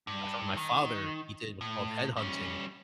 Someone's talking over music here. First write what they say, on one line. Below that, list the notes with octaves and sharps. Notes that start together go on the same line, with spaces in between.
I found my father, he did what's called headhunting,
G2
D#3
A2
G3 C#4